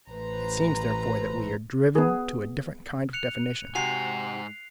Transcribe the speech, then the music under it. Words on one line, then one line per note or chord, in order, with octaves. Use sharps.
It seems, therefore, that we are driven to a different kind of definition.
A1 A3 B4 C5 A#5
B3 G#4
F#6 C#7 F7
G#2 C3 F#4 G#5 C7 F7